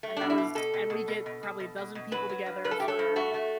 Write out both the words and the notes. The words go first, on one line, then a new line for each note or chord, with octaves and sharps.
And that was and we get probably a dozen people together for
A3
B2 D4
E4
B2
B2 A4
B2
B2
B2
B2
B2
B2
B2
B2
F#3 B4
F#3
G2
G2 B4
A4
A3 G4
A4
G2
A3 F#4
A3